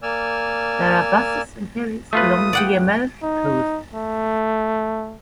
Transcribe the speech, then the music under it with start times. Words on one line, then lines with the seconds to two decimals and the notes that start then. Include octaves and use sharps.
There are buses and ferries along the Amalfi Coast.
0.03 A#3 D5 G#5 E6 F6
2.13 A3 F4 B4 D#6
2.53 D5 F#5 G5
3.23 D#4
3.94 A3